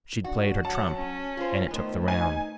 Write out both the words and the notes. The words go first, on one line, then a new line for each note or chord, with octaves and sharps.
She'd played her trump, and it took the round.
D4 F#4
F#3 F#5 A5
C#4
F4 G#4 C5
D#3 A3 B3 C5
D#4 G#5